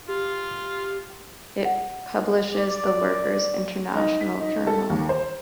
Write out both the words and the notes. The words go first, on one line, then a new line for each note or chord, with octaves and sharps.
It publishes the "Workers International Journal".
F4 G4
F#5
D5
D#4
B6
D#4
A4
D#2
C5